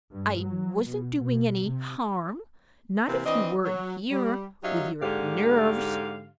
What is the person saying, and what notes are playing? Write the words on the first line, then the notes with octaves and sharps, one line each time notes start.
"I wasn't doing any--harm; not if you weren't here--with your NERVES!"
G2
F#3
B2
B2
C3
C3 E3 A#3 C4
E3 C4 D4 D#5
F#3
G3
F#2 F#3 D#4 G4 E5 F5
G#2 D3 G4 F5